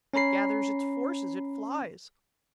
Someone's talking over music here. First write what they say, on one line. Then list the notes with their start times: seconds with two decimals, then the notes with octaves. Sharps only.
It gathers its forces, it flies!
0.14 C#4 C#5 A#5 B5 C7